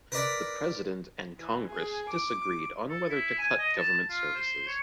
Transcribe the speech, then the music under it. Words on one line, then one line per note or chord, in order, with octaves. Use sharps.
The president and congress disagreed on whether to cut government services.
A#4 B4 D5 B5
E3
G#4
D6
A4
E4
G#5
D#5
A5
F4
C5
C#5